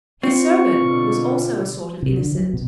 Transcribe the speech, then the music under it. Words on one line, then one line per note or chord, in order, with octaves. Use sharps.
His servant was also a sort of innocent.
C4 F4 C#6
B2 D3
C3
D3
F#3
B2